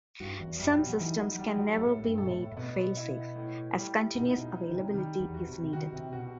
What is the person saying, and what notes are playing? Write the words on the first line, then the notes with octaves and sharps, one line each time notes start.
Some systems can never be made fail safe, as continuous availability is needed.
G2 F#4
E2
F#2 G3
B2
F#3
E3 D#4
F#3
F#3 G3
F#3
A2 A4
G2
B2 A4
A2
A2
B2 B3
E4
A2
G3
B2 D#4
C3
B2
D#4
D#3
C3
D#3 G3
E2
F#4
C3
C3
D#3 F#4
C3
B2 F#4